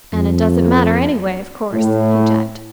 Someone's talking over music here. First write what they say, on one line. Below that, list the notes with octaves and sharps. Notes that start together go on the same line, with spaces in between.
"And it doesn't matter, anyway, of course," he gibed.
F2
A2